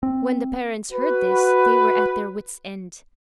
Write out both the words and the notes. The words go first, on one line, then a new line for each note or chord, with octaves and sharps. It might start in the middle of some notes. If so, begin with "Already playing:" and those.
When the parents heard this, they were at their wits' end.
C4
F#4 B4